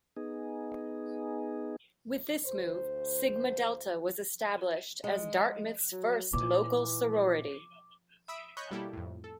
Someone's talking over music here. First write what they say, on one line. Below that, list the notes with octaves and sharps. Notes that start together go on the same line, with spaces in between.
With this move, Sigma Delta was established as Dartmouth's first local sorority.
B3 D#4 G#4
D2 C5
G#3
F#3
A#2 E3 D6
E5 B5 D#6 E6 B6 D7
C#5 D#5 B5 C#6 F#6 G6
B2 G3 A#3 E4 G4 A4
F2 A2
A4